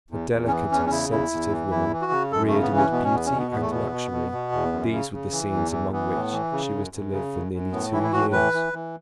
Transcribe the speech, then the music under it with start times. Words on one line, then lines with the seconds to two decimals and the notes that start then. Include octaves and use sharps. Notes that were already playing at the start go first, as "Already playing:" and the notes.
A delicate and sensitive woman, reared amid beauty and luxury, these were the scenes among which she was to live for nearly two years.
0.10 E2
0.31 E2
0.47 C#4
0.51 E3 B3
0.71 E2 C#4
0.86 C#4
0.91 C#3 E4
1.11 E2 E4
1.31 E2
1.52 E3
1.71 E2 E4
1.92 E3
2.02 F#4
2.11 C#3
2.31 F#2 A4
2.47 C#3 A3
2.62 B3
2.71 E3
2.76 C#4
2.91 B2 B3
3.04 C#4
3.12 E2 B3
3.26 C#4
3.31 B2
3.38 B3
3.52 E2 B3
3.61 A3
3.71 B2 B3
3.92 B2
4.11 B2
4.32 B2
4.52 E2
4.72 F#2
4.92 C#3
5.13 C#3
5.32 E3
5.52 E2
5.72 E3
5.92 E3 B3
6.13 A2
6.33 E3
6.52 C#3
6.72 F#2
6.93 F#2
7.13 C#3
7.33 F#2
7.52 F#2
7.72 A2 B3
7.92 E3 E4
8.03 E4
8.12 A2 F#4
8.32 E3 B4
8.53 E3
8.73 E3